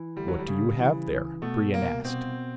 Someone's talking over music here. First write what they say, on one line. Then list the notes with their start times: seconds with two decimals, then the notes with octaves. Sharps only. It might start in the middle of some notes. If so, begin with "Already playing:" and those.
"What do you have there?" Brion asked.
Already playing: E3
0.16 D2 G3
0.28 F#3
0.39 G3
0.48 C#3
0.79 E3
1.10 C#3
1.42 B2 A3
1.73 C2 A#3
2.05 B2 C4